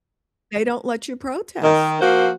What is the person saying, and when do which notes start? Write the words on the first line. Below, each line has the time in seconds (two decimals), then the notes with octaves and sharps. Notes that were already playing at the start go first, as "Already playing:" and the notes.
They don't let you protest.
1.62 D#3
2.00 F3 A#3 F#4 C5